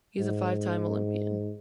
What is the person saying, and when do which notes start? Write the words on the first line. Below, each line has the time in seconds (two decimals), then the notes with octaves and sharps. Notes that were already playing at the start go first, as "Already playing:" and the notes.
He is a five-time Olympian.
0.19 G#2